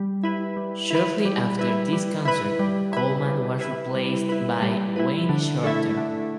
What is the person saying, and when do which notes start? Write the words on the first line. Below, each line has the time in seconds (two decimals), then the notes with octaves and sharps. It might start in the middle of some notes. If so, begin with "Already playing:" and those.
Shortly after this concert, Coleman was replaced by Wayne Shorter.
Already playing: G3
0.23 E4 B4
0.57 G3
0.91 E4 B4
1.25 G3
1.59 E4 B4
1.93 G3
2.25 E4 B4
2.59 G3
2.93 E4 B4
3.27 G3
3.61 E4 B4
3.95 G3
4.29 E4 B4
4.63 G3
4.96 E4 B4
5.29 D3
5.64 A3 E4
5.97 D3